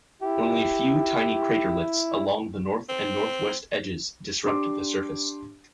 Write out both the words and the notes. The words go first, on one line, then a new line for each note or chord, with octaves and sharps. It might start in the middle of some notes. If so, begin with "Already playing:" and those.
Only a few tiny craterlets along the north and northwest edges disrupt the surface.
E4 G4
C4
D4 G4 C6 D6